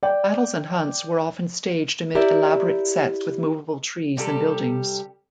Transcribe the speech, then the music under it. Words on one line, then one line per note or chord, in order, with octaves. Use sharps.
Battles and hunts were often staged amid elaborate sets with movable trees and buildings.
D5 G5
E4 G4 A#4 D5 E5
C3 G3 G4 A4